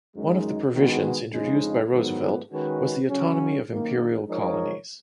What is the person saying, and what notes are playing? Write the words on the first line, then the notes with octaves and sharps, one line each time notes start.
One of the provisions, introduced by Roosevelt, was the autonomy of imperial colonies.
F#2 D#3 G#3 D#4
D#3 G#3 B3 F#4
F2 C#3 G#3 D#4
G#2 D#3 F#3 B3
D#3 G#3 C#4 F#4 B4
C#3 F#3 C#4
F#2 D#3 A#3
F3 G#3 D#4 A#4 C#5